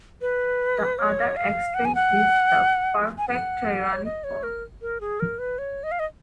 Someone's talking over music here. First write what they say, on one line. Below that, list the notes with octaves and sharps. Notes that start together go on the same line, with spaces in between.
The other extreme is the "perfect tyranny" form.
B4
C#5
F5
F#5
G#5
F#5
G#5
F#5
C#5
D#5
C#5
A#4
A#4
G#4
A#4
B4
C#5
D#5
F5
D#5